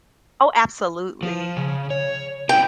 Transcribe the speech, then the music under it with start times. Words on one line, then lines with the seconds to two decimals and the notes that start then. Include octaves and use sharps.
Oh, absolutely.
1.23 F3
1.57 C#3
1.90 C#5
2.49 C#4 E4 G4 G5